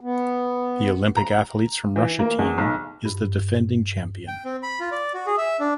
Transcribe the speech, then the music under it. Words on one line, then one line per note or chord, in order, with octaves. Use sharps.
The Olympic Athletes from Russia team is the defending champion.
B3
A#5
E3
A#3
E2
B1
G2
G5
C4
B5
F4
D5
F#4
G#4
E5
D4